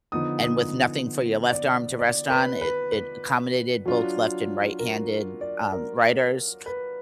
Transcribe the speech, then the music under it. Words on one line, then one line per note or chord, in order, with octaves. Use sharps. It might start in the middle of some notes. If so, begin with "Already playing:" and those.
and with nothing for your left arm to rest on, it it accommodated both left and right-handed, um, writers.
D3 F3 B3 D#4 D#6
D#6
D5
D5
B4
B4
B4
F#3 D4 F4
A#4
D5
A#4
B4